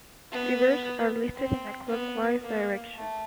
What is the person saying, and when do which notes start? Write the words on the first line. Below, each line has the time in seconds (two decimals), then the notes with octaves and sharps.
Rivers are listed in a clockwise direction.
0.32 B3
1.36 C4
1.88 B3
2.40 A#3
2.94 A3